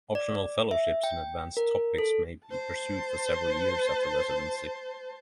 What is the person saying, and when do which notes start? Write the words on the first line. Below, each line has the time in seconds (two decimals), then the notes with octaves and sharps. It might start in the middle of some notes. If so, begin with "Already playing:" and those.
Optional fellowships in advanced topics may be pursued for several years after residency.
0.15 D5
0.71 E5
1.04 G5
1.57 A#4
1.98 A4
2.47 C5 A5